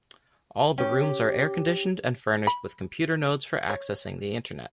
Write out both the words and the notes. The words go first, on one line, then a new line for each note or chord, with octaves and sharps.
All the rooms are air-conditioned and furnished with computer nodes for accessing the Internet.
C#4 G4
B5
C#5